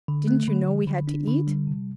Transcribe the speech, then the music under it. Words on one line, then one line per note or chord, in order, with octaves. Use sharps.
Didn't you know we had to eat?
D3
A3
D3
F3
D3
D4
D3
G3
C3